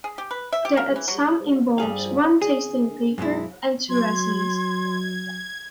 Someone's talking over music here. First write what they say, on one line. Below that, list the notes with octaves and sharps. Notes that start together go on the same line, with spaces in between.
The exam involves one tasting paper and two essays.
G#4
G4
B4
E5
G4
A#4
E3
F#3
G2 G3 G#4 F5
G#4
F#2 B2 G#3 E4
F#3 C6 G#6